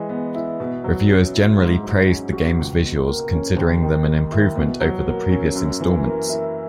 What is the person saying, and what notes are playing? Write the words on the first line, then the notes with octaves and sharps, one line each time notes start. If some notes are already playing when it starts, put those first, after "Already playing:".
Reviewers generally praised the game's visuals, considering them an improvement over the previous installments.
Already playing: E3 G#3
B3
E4
B2
F#3
C#4
E4
G#2
F#3
C#4
F#4
C#2
B2
A#3
C#4
D#2
D#3
A#3
E4
B2
F#3
A#3
C#4
F#2
E3
A#3
E4